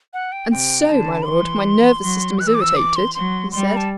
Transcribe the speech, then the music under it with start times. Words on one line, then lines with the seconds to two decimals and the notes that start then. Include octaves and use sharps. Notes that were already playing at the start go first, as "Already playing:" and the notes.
"And so, my Lord, my nervous system is irritated?" he said.
0.14 F#5
0.32 G5
0.51 C3 G5
0.89 D3 A5
1.22 B5
1.26 E3 C6
2.01 F#3
2.39 E3 F#6
2.47 E6
2.55 D6
2.61 E6
2.76 D6
2.96 C6
3.15 F#3 C6
3.52 G3 C6
3.65 B5
3.76 A5